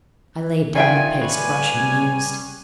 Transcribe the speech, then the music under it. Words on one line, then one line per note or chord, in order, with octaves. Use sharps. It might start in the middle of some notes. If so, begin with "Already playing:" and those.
I laid down the paste-brush and mused.
D#3 F4 D5 E5 G5 G#5
G3 B4 C#5 G#5